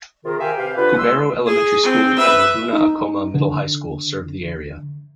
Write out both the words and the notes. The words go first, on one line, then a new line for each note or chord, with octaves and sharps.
Cubero Elementary School and Laguna Acoma Middle-High School serve the area.
C3 D#3 F4 G#4 A#4
G4 A#4 E5 F5 G5 G#5
C3 G4 B4 F5
D3 F4 G4 B4
A2 G#3 A#3 C6 E6
G#4
C4
B4 E5
D#4
D3